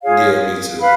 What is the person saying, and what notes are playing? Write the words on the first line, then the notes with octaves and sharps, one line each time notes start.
Yeah, me too.
F4 G#4 C#5 F5
B4 F5 B5